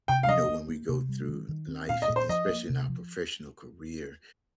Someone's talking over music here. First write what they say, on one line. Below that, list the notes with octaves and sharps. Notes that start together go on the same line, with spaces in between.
you know, when we go through life, especially in our professional career,
C3 G5
F5
F3 D#5
A#3
A#3
C3
G3
D#3
D#3
C4
A#2 F5
D#5
A#2
C5
F3 D#5
A#3
C3
F3